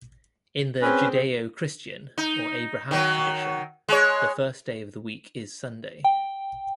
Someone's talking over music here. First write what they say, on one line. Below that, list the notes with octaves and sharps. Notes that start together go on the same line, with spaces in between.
In the Judeo-Christian or Abrahamic tradition, the first day of the week is Sunday.
C4 C#4 G#4 B4
D#4
D#3 F#3
G#3 C#5
G5